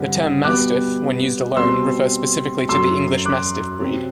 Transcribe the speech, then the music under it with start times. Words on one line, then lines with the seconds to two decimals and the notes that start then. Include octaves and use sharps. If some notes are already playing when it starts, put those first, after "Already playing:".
The term "Mastiff", when used alone, refers specifically to the "English Mastiff" breed.
Already playing: G2 D3 G3 C4
0.44 B2 G3 B3 D6 F#6
1.57 B2 G3 C4 C6 E6
2.69 F#2 F#3 A3 C6 E6
3.25 D6 F#6
3.81 C3 F#3 C4